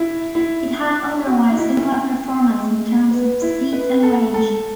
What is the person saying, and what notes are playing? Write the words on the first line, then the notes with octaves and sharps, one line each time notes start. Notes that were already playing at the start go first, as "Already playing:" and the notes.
It had otherwise similar performance in terms of speed and range.
Already playing: E4
E4
F#4
D#4
E4
G#3
B3
E4
B4
A4
A4